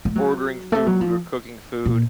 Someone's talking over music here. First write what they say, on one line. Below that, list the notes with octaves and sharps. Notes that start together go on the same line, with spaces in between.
ordering food or cooking food,
A3
F#3
A3
F#3
F3
A#2